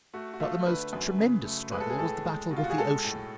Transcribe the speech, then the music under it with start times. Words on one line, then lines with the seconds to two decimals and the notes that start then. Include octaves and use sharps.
But the most tremendous struggle was the battle with the ocean.
0.14 A3 F#4
0.34 F#4
0.40 A3 F4
0.65 D3 B4
0.93 F#2
1.19 C#3
1.45 A3
1.72 G#3 B4
1.80 A4
1.90 G#4
1.98 A2 A4
2.25 G#3
2.51 B2
2.57 F4
2.63 F#4
2.70 G#4
2.78 G#3 A4
3.04 A2